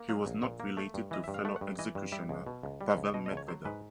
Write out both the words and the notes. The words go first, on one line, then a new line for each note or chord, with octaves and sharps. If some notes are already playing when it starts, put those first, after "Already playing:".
He was not related to fellow executioner Pavel Medvedev.
Already playing: A#3
F#3 F5
A#1
A#2
A#3
A3
G2
E3 D#5
G2 E5
F5
A3 F#5
F#5
G2
E3 D#5
G2
G3 E5
C#2
B2
C#2
G3
C#2
B2 D#5
D#5
C#2
C#5
F#3 C5
G#2 B4